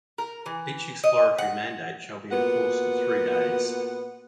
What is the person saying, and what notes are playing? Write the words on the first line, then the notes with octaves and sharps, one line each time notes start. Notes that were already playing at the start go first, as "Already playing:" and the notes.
Each exploratory mandate shall be in force for three days.
A#4
E3
D#5
F#5
A#2 B3 F#4 F#5